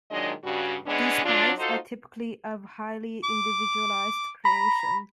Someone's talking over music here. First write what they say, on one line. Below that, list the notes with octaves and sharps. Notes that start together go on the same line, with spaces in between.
These bikes are typically a highly individualized creation.
A#2 D#3 F#3 G#3 D4 D#5
G2 C#3 F#4
E3 G#3 B3 C#4 D4
F#3 D4 F4
D#4 F4 F#4 A4 C5
D6
A#5 B5